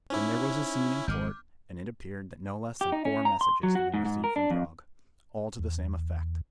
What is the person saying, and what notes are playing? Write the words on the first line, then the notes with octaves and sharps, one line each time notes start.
Then there was a scene in Court, and it appeared that no less than four messages had been received from Prague, all to the same effect.
C#4 D#4 E4 C5
G#1 G#3 D6 F6 G6
G4
D#4
C#4
A#5
C6
F#3
F#4
G#2
G#2
A#4
D4
F2
E2